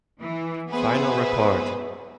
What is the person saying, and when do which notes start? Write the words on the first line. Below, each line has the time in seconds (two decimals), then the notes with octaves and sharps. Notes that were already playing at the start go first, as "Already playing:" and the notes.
Final report.
0.19 E3
0.69 B3 G#4 B4 C5 E5